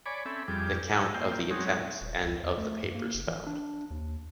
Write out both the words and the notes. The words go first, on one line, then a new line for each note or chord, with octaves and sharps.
The count of the attempts and of the papers found.
C#5 D5 G#5 B5 D6
C4 C#4 A4 E5 B5
F2 G3 G#4 D6
C#5 D#5 E5 G5
A#3 C5 G5
F#3 G#3 C4 D#4 C#5
D#1
C#2
E2
A3
G2
A#3
F#1
E3
D4
D#2